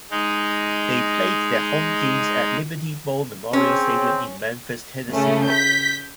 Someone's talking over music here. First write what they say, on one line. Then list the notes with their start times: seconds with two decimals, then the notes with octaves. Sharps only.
They played their home games at Liberty Bowl Memorial Stadium in Memphis, Tennessee.
0.11 G#3 D#4
3.53 C4 C#4 G#4 C#5 G5
5.10 C#3 A3 C#4
5.46 G6 B6